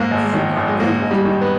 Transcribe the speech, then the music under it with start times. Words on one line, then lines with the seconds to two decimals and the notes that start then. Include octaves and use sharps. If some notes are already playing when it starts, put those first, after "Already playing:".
He had not moved.
Already playing: G#2 A#3
0.11 G#1
0.34 D#3
0.57 G#1
0.68 G#3
0.80 G#2 A#3
1.02 G#1
1.11 G3
1.25 D#3
1.41 B3